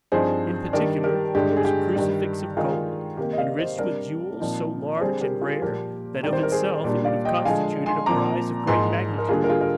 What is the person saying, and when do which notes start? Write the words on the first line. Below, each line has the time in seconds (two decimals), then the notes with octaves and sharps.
In particular, there was a crucifix of gold, enriched with jewels so large and rare, that of itself it would have constituted a prize of great magnitude.
0.12 G2 F3 C4 D#4 G#4 C5
0.73 D#3 G3 D4 A#4 D5
1.04 G4 A#4
1.35 G2 D3 G#3 G4
1.57 G#4
1.65 G4
1.96 G2 D#3 G3
2.57 D#3 G#3 D#4 F4 G#4
3.17 C3 D#3 A#3 G4
3.33 D#5
3.38 D5 F5
3.59 C5 D#5
3.79 C3 G3 D4 A#4 D5
4.40 A#2 F3 C4 D#4
4.96 D5
5.00 D3 G3 C4 G#4 C5
5.21 G4 A#4
5.41 F4 G#4
5.62 A#2 F3 A#3 G4 A#4
6.23 D#3 G3 C4 D#4 D5
6.33 C5
6.43 A#4
6.52 G#4 C5
6.84 A#2 G3 D4
7.04 D5 F5
7.25 D#5 G5
7.45 D3 F3 G#3 F5 G#5
7.86 G#5 C6
8.06 A#2 F3 C4 A#5 D6
8.67 G#2 F3 A#3 D#4 G#5 C6
9.18 A#4
9.29 D3 G3 A#3 F4 G#4
9.44 A#4
9.50 F4 G#4
9.61 A#4